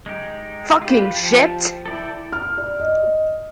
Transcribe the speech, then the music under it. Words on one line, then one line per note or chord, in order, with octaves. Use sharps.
Fucking shit!
G#3 D#4 G4
F4 G4 B4
F3 G4 A5
E4 A4 D5 G5
F6
D5
D#5